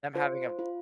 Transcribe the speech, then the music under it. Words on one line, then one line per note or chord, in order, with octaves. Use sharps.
them having a
F4 C5
F4